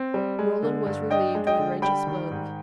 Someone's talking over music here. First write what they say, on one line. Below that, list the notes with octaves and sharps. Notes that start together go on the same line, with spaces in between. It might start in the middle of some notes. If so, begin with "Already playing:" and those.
Rollin was relieved when Rachel spoke.
Already playing: C4
G3
G#3
D3
G2
D4 D#5 G5
G#3
D#5 G5
D3
G3 G5 B5
D#3
G#2